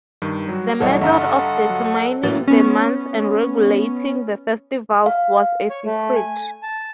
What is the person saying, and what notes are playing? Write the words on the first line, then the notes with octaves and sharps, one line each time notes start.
The method of determining the months and regulating the festivals was a secret.
G2 D#3
F#3 G3 F#4
B1 E3 G3 A4 C#5 D#5 F#5
G2 D3 A4 D#5 E5 F#5 A#5
F#3
A2 F#3 A#3 B3 A6
B3 C#4
F5
C#5
A3
G#5
A5